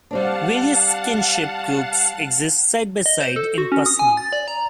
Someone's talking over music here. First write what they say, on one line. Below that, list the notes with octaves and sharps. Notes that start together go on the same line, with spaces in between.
Various kinship groups exist side by side in Pasni.
G3 C4 D4 F5 F#5 A5
D#5
C5
A4
F#4
C#4
D#6
G#5
A6
D5
A#5